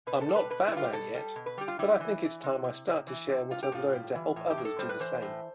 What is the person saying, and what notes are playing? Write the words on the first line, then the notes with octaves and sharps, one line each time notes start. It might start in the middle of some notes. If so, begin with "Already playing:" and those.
I'm not Batman yet, but I think it's time I start to share what I've learned to help others do the same.
B2 B4
A4
G3
B4
B2 B4
E4
G3 F4
G4
B2 A4
G3
B2
B4
G3 G4
F4
G3 E4
E3
E3
C3
C3
C3
E3
C3
G3 F4
G4
A2 F4
G3
E3
A2
G4
A2
A4
G3 C5
B4
E3 C5
A2